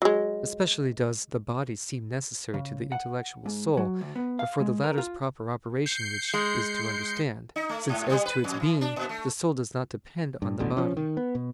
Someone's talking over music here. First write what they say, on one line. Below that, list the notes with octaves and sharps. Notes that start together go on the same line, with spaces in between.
Especially does the body seem necessary to the intellectual soul, for the latter's proper operation which is to understand: since as to its being the soul does not depend on the body.
F#3 G#3
C#3
F#5
G#2
F#3
D2
B3
F5
G#3
A#4
F4
G6 C7 C#7
G#3
D#4
A3
G#2
G3
B4
F2
E3
D4
A#2
A3
G2
D#1 A1 B2 D3
F3 C#4
D#3
B3
B2